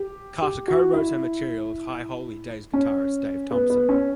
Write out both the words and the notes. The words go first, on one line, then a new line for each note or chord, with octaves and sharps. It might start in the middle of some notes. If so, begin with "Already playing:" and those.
Carter co-wrote her material with High Holy Days guitarist Dave Thompson.
Already playing: G4
G4
F#4
E4
C#4
B3
B3
C#4